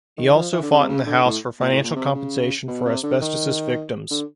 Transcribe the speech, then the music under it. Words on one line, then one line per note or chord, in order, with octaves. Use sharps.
He also fought in the House for financial compensation for asbestosis victims.
D#3
F3
E3
D3
C#3
C3
C#3
D3
A2
A#2
A2
A#2
C3
C#3
B2
C3
D3
D#3
D3